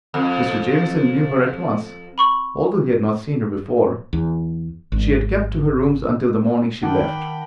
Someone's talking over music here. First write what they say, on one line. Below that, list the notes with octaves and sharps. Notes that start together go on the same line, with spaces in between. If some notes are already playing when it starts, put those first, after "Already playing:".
Mr. Jamieson knew her at once, although he had not seen her before. She had kept to her rooms until the morning she left.
F2
B5 C#6 F#7
E2
G#1
D#3 F#5 G5 A5 B5 D6